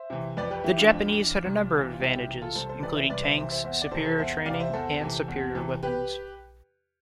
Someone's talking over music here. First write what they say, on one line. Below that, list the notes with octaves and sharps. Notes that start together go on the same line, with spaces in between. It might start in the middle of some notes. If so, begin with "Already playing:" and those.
The Japanese had a number of advantages, including tanks, superior training, and superior weapons.
Already playing: C5 E5
C3 E3
F2 B4 D5
G4 B4
E3 E4 G4
D4 F4
F2
E3
C2
C3 E3
F4
C2 C4 E4
E4 G4
C3 E3
F4 A4
C2 A4 C5
A4 C5
C3 E3 B4 D5
C5 E5
C2 B4 D5
C5 E5
C3 E3 C5 E5
C5 E5
E2 C5 E5
D5
C3 E3 A4 C5
A4 C5
E2 C5 E5
C3 E3 D5 F5
C5 E5
E2 A4 C5
C3 E3
E2
C3 E3
G4 B4